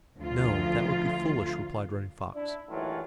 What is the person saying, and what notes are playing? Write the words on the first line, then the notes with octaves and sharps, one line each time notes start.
"No, that would be foolish," replied Running Fox.
D2 F3 F4
D4 E4
D#2 A2 E3 F#3 F4